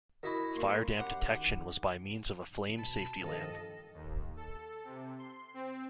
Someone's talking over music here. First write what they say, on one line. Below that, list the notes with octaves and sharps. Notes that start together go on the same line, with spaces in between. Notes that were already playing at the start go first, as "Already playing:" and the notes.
Firedamp detection was by means of a flame safety lamp.
E4 F#4 A#4 D#5 B5
A#3 C6 C#6
F#2 G4 F#5
D#3
B2 A5 B5
G2 D#3 F3 A4 D#5
D#2
A4
C3
C6
C4